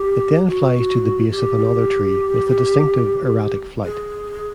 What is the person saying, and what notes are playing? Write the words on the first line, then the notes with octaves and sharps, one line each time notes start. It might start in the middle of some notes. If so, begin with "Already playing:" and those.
It then flies to the base of another tree with a distinctive erratic flight.
Already playing: G4
F#4
G4
G#4